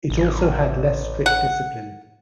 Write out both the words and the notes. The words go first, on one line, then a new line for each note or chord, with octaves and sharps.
It also had less strict discipline.
A1
F#5